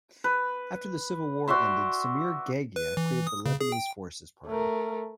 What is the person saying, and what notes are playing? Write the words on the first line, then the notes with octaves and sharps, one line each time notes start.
After the civil war ended, Samir Geagea created the Lebanese Forces Party.
B4
F#4 D5 E5 C6
B4
E3
D#6
C#3
G#4
G5
A3 A#4